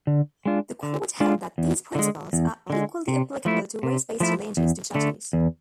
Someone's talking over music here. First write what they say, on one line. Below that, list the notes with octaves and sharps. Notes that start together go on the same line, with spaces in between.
The Court held that these principles are equally applicable to race-based challenges to judges.
D3
G#3 D4 F4
D3
G#3 D4 F4
E2
D3 G#3
E2
D3 G#3
C3
F3 A3 E4
C3
F3 A3 E4
E2
D3 A3
E2